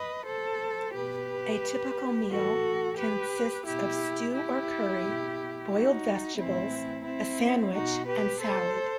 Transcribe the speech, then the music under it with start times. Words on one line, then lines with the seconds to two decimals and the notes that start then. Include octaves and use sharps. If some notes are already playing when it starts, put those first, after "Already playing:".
A typical meal consists of stew or curry, boiled vegetables, a sandwich, and salad.
Already playing: B4 D#5
0.26 A4 C5
0.94 B2 G4 B4
2.30 A2 E3 F#4 A4
2.98 G4 B4
3.66 B2 E4 G4
4.34 E4 G4
5.01 B2
5.70 D#4 F#4
6.37 A2 E3 C4 E4
7.05 C4 E4
7.73 B2 D#4 F#4
8.07 G4 B4
8.40 A4 C5